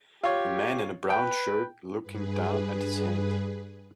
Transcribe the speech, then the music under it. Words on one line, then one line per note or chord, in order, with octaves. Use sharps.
A man in a brown shirt looking down at his hand.
F4 G4 C#5
B4 G5
G2 G#4 B4